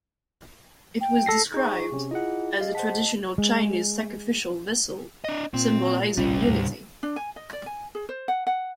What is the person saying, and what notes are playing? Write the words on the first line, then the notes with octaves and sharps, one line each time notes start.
It was described as a traditional Chinese sacrificial vessel symbolizing unity.
G5
A4 A#6 C7
D#4 G#4 C5 C#6
C3 C#4
E4 F4 G#4 D#5 F#5
G#4 D#5 F5
C5 D#5 F#5 A5 B6
G#3
D4 D#5
A#2 C4
D1 A#1 C3 G3 C#4
D#2 A2
D4
G#5
D#5
D5
G#5
G#4
C5
F#5
F#5